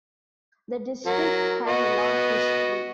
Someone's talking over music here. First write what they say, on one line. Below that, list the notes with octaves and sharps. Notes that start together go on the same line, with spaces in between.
The district has a long history.
F#3 A#4
B3 F#4 D#5